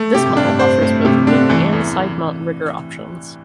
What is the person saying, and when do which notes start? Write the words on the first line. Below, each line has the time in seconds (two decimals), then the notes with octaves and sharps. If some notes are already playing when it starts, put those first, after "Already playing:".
This model offers both wing and side mount rigger options.
Already playing: A3
0.14 C3 G4
0.26 A2
0.36 G2 D4
0.48 A2
0.59 C5
0.82 A2 A3
1.05 C3 G4
1.27 D3 D4
1.50 E3 A3
1.73 E2